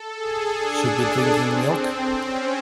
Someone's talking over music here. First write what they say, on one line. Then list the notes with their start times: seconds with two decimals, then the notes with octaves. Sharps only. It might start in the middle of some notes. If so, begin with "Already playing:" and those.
Should be drinking milk.
Already playing: A4
0.15 G#4
0.56 D4
1.38 C4
2.21 C#4